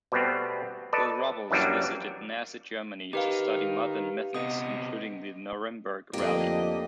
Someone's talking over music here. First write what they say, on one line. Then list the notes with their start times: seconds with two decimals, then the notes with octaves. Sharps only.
Gil Robles visited Nazi Germany to study modern methods, including the Nuremberg Rally.
0.12 B2 G3 A3 B3 C4
0.93 A4 B4 D5 D#5 A5
1.51 F#2 E3 F#3 G3 A#3 D4
3.13 D#4 G4 A#4 B4 F5
4.34 C3 B3 D#5 D#6
6.13 F2 D3 A3 A#3 D4 G4 D#5